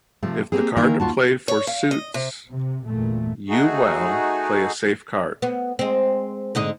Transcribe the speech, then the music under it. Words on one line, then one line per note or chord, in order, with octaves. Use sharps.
If the card to play for suits You well, play a safe card.
C3 F3 A3
A#3 C4 G4 G#4
D#3 E3 A#3 E4 A#4
D#2 F4 F#4 A5
C#5
F5
D#5
C3
C3
G1 E2 A#2 A3
A3 D#4 F#4 G#4
B3
G#3 C4
G#2 D3 D#5